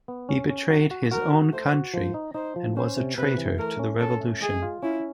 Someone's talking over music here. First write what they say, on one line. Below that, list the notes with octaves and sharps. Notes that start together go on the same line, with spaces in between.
He betrayed his own country and was a traitor to the revolution.
B3
C#4
C#4
F#4
F#4
F#4 A#4
F#4
A3 C5
F#4
F3 C5
D#4
D#4 C5
F3
C#4 C5
C3
C3 B4
E3
A3 A#4
C#4
C#4 A4
A3
G#3 G#4
F4
C#4 E4